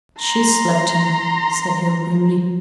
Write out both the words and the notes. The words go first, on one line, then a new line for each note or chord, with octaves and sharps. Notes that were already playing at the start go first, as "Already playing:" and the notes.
"She slapped him," said Hale grimly.
A#5 C6